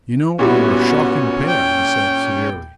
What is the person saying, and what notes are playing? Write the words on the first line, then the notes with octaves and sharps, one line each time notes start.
"You know, you're a shocking pair!" I said severely.
A#2 G3 B3 C#4 E4 F#4
G5